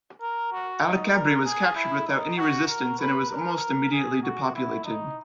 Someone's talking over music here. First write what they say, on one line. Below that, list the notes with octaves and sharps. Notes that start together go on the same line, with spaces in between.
Al-Kabri was captured without any resistance and it was almost immediately depopulated.
A#4
F#4
D#4
A#4
G#4
E4
D#4
F#4
A#4
B4
A#4
G#4
F#4
E4
D#4